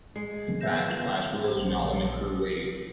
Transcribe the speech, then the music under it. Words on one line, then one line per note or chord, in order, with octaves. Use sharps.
In fact, class rules do not limit crew weight.
G#3 C7
D#3 B3 E5 G6 A#6 E7
F4
A#1 F3 G4 C5